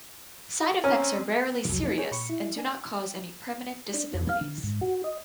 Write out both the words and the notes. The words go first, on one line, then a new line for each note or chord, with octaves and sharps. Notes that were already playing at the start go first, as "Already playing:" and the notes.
Side effects are rarely serious and do not cause any permanent disabilities.
C4 C#4 G#5 A#5 F6
C2 F2 F#3
A#3 C4 D#4
G#4 C#5 G5 G#5
A#2 B5 C#6 C#7
E4
D4 G#5
D4
F2
F5
D3
G#2
F#4
D#5